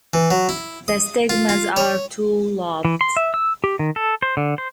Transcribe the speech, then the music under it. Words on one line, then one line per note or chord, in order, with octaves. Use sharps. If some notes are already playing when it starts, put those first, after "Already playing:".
The stigmas are two-lobed.
E3
F#3
E4
D#6
F4
F4
C#5
E3
C6
E5
E6
G4
D#3
A4
C5
D3
C5